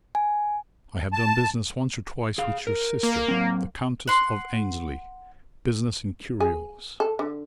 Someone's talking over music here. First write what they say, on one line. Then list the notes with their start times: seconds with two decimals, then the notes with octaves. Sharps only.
I have done business once or twice with your sister, the Countess of Aynesley--business in curios.
0.15 G#5
1.13 A5
2.38 G#4 F5
2.67 A#4
3.03 A#3
3.28 F#3 C4
4.07 F#5 C6
6.40 G#4
7.00 A4
7.19 D3